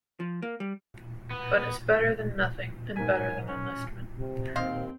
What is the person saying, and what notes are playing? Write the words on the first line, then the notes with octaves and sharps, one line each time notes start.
But it's better than nothing, and better than enlistment.
F3
A#3
G3
B3
G#2 A#4 G#5 B6
C#4
C3
D#2 C4 C5 D#5 F5